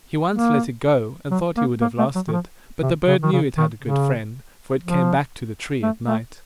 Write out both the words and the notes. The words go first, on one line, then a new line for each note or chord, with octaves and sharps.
He once let it go, and thought he would have lost it, but the bird knew it had a good friend, for it came back to the tree at night.
A#3
F#3
A#3
A#3
A3
F#3
D#3
F3
C3
C#3
D#3
C#3
D#3
C#3
F3
A3
A3